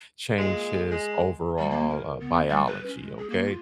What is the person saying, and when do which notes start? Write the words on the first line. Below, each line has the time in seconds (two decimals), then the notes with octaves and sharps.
change his overall, uh, biology, okay?
0.38 A#2 G#3
0.90 G#3
1.58 G3
1.71 A#3
1.90 A#4
2.20 B3
2.49 G3
2.66 B4
2.86 C#4
3.01 G#3
3.17 G#4
3.30 A#3
3.45 F4